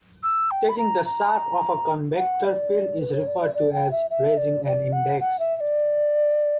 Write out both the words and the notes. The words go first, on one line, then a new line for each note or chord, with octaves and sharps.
Taking the sharp of a covector field is referred to as "raising an index".
E6
G5
B5
A#5
A#5
F#5
D5
B4
C#5
D5
D5
D5
G5
E5
E5
D5
D5
F#5
F#5
E5
E5
D5